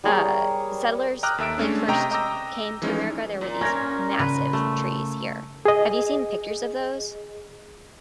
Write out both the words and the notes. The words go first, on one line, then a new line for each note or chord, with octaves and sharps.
uh, settlers, like, first came to America, there were these massive trees here. Have you seen pictures of those?
G3 G#4 A#4 C#5
G5 A#5 D6 D#6 F6 F#6
D#2 A4 E5 E6 D7
G#3 A3 C#4 D4
C3 D#5 G5 A#5 C#6
D#5 G5 A#5 D6 E6 A#6
E3 F3 G#3 C#4 D#4
A#2
C#4 A#4 G#6 A#6
C#3 B4
A3
G#4 D#5